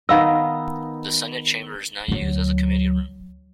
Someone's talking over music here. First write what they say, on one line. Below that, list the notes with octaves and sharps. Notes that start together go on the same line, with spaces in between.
The Senate chamber is now used as a committee room.
D#3 B3 D#5 F5 E6
D2 F#3